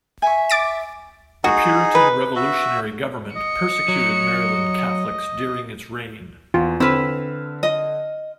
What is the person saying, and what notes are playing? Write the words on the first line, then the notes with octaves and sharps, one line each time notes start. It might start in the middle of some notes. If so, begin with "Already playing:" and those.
The Puritan revolutionary government persecuted Maryland Catholics during its reign.
E5 G#5 C#6
D6 A6 D7
D#4 F#4 G#4
B4
F#4 E5
D#5 C#7
F#3
E2 F4
D3 C4 E4 B4 F6 E7
D#5